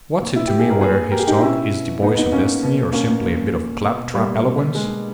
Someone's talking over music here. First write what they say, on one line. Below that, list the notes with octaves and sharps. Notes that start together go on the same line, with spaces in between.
What's it to me whether his talk is the voice of destiny or simply a bit of clap-trap eloquence?
A#2
E4
G4
G#4
A#4
A#2 G#4 B4
G4 A#4
G#4
D#4 G4
D#4
B2 C#4 E4
A#2 B3 D#4
B3 D#4
A#3 C#4
B2
A#3 C#4
A#2
B2
G3 A#3
B2
G#3